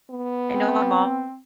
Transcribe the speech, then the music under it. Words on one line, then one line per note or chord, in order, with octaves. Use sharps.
know my mom,
B3
C4